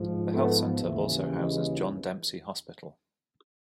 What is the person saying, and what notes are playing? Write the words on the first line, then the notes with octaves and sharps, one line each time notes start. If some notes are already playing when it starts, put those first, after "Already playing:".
The Health Center also houses John Dempsey Hospital.
Already playing: G#2 F3
A3 B3
D#2 C#3 E3 A3
G#3